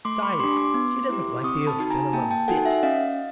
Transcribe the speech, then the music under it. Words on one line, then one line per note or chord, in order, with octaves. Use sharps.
Besides, she doesn't like the Old Fellow a bit.
A3 C6 D6
B5 C#6
D4 G4 C6 D6
C6 D6
B3
E4 G4
C4 C#6 D#6
A5 B5
D#4 F#4
G#5 A#5
A#3 G5 A5
G5 A5
D#4 F#4 A4 F#5 G#5
E5 F#5
C#4 D#5 F5